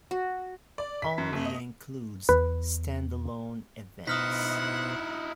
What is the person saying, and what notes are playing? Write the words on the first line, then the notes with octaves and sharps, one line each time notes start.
Only includes standalone events.
F#4
D5
B6
F#2
F#1
D#5
E2 B4
B2 D#4 E4 C5 F#5 D#6 F6 B6